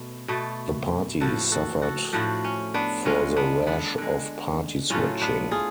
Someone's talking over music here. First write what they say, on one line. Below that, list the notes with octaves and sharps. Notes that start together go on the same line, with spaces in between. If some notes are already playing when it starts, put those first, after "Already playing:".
The party suffered for the rash of party-switching.
Already playing: B2 A3
B2 A3
A2 F3 A3 F#4 A4
F#4 A4
F#4 A4
A2 F3 A3 D4 F#4
C#4
B3 D4
D3 G#3 C#4 F4
B3 D4
B3 D4
D3 G#3
A2 F#3 A3 C#4 F4
B3 D4
F4 G#4